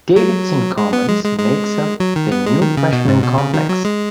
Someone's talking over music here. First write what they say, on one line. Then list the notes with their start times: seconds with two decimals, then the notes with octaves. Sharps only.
Davidson Commons makes up the new freshman complex.
0.16 F#3
0.78 G#3
0.93 B3
1.09 G#3
1.24 G#3
1.39 G#3
2.00 F#3
2.16 D#3
2.32 B3
2.46 G#3
2.62 D#3
2.77 C#3
2.93 B2
3.08 G#2
3.23 B2
3.38 C#3
3.54 D#3
3.69 F#3
3.85 G#3